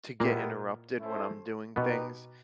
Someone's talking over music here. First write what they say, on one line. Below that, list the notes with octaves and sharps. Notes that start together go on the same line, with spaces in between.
to get interrupted when I'm doing things,
A#2 G#3 A#3 B3 E4 G4 A#4
A3 C#4 E4 A4 C5
B2 B3 D#4 G4 B4